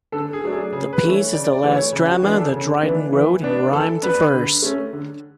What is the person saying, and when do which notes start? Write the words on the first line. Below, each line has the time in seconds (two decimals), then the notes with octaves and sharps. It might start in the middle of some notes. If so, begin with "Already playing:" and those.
The piece is the last drama that Dryden wrote in rhymed verse.
0.12 D3 A4
0.33 G#4
0.43 F#3 A3 D4
0.53 G#4
0.72 C#3 G#4
0.93 B4
1.03 E3 A3
1.13 C#5
1.33 C#3 D5
1.53 D5
1.63 E3 A3
1.73 C#5
1.92 C#3
2.08 F#4
2.22 E3 B3 D4 G#4
2.38 A4
2.52 C#3
2.83 E3 B3 D4
3.12 E3
3.43 B3 D4
3.72 E3 A4
4.03 B3 D4 B4
4.33 D3
4.62 A3 C#4
4.93 D3